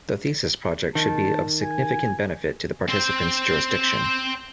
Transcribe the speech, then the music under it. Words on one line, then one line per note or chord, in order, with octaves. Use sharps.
The thesis project should be of significant benefit to the participant's jurisdiction.
D#3 A5
G#5
C4 C5